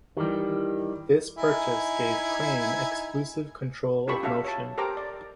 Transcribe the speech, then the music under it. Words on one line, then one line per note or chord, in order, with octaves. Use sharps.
This purchase gave Crane exclusive control of Motion.
D#3 E3 G3 G4
D#4 E4 G#5
C#4 F4 G4 A4 B5 C#6
C#4 F#4 A4 E5 F5
C#5 A5
G4 A4 A#4 C5 A#5 D6
D5